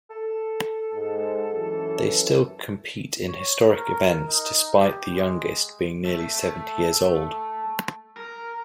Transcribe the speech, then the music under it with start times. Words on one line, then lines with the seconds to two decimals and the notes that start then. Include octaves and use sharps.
They still compete in historic events despite the youngest being nearly seventy years old.
0.10 A4
0.93 G#2
1.52 F#2 E3
3.28 C#5
3.70 A#4
4.27 D#4
4.78 G4
5.12 G#3
6.05 A3
8.17 A#4